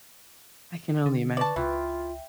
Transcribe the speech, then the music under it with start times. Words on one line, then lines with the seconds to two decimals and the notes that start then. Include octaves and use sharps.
I can only imagine.
1.06 D3
1.37 B4 D5 A5 C#6
1.56 C#2 E3 F4 E5 G5